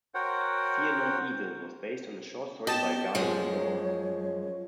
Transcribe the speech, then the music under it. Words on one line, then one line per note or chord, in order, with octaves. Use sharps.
"Fear No Evil" was based on a short story by Guy Endore.
F#4 A#4 C5 C#5 F#5 G5
B3 G4 D#5 A5 E7
F#2 F3 G#3 C#5